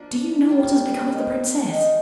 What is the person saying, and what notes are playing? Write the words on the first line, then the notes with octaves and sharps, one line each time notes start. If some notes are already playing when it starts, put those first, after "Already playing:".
Do you know what has become of the princess?'
Already playing: F3 A#3 D4
C3 G3 C4 F4
A#3 D#4 A#4
D#3 G#3 D#4